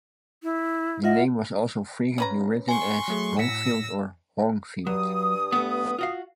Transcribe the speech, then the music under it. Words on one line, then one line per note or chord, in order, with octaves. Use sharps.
The name was also frequently written as "Hongfield" or "Honghfield".
E4
F4 D#5 E5 F#5
C#4 B4 A#5
G#5 C6 C#6
F#3 A3 G#4
A2 F#3 E6 A#6 B6 C#7
G2 F#3 D#6
A3 B3
F4 F#4 F5